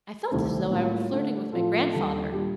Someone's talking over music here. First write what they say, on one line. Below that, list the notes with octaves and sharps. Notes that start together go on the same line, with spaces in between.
I felt as though I were flirting with my grandfather.
C2 C3 D#3 A3 C4
A2 G3 A#3 F4
D3 A3 D4
A2 F3 C4 F4 A4
D#2 D#3 G3 D4 A4
A#2 G3 D4 G4